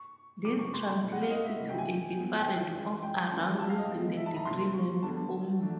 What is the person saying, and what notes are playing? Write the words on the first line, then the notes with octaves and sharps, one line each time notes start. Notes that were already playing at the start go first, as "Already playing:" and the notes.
This translates to a difference of around using the degree length formula.
Already playing: C#6
C#3 F#3 B3 D4 F4 D6
C#6
C6
B5
B2 F#3 A3 C4 E4
F#5
F5
D#5
E5
C3 E3 A3 C#4
G5
G#5
F3 G#3 B3
G5
G#5
E3 G#3 C#4 F4
G5
F3 A#3 C#4 E4
A5
F5
D#5
A2 F3 G#3 B3
E5
A5
A#5
C3 F3 A#3 D4 C6
C#6
D3 G3 B3 D4 A5
F#3 A3 D4